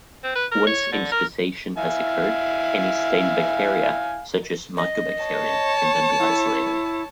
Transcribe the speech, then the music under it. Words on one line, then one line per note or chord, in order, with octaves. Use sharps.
Once inspissation has occurred., any stained bacteria, such as Mycobacteria, can then be isolated.
C4
B4
A#4
C#5
D3
A#4
E4 F5 G#5
D#5
C#5 A5
E4